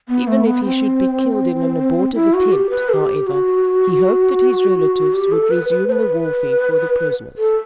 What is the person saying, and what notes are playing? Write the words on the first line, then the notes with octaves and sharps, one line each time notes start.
Even if he should be killed in an abortive attempt, however, he hoped that his relatives would resume the warfare for the prisoners.
B3
A3
B3
C4
E4
F#4
G4
B4
A4
G4
F#4
G4
A4
B4
B4
C5
B4
A4